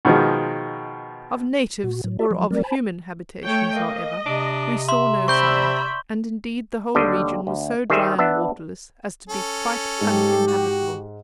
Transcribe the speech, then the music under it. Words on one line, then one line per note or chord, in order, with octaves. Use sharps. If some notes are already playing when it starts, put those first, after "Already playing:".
Of natives or of human habitations, however, we saw no signs, and indeed the whole region was so dry and waterless as to be quite uninhabitable.
B2 D#3 F3 G#3
A#2 F#4
A2 F#3
F4 G4 D5 E5
F3 F#3
F#3 G3 A3 C4 A#4 D5
C5 G#5 A5 B5
A3 C#5 G5
A#3 D#5
C3 D4
E5 C6
C4 D5 E5 B5 C#6 G6 G7
D#2 D3 G3 D4 D#5 G5
D2
D#3 G3 G#4 C5 E5
B3 D4 E5 F#5
C#4 A4
G#2 G4
F#4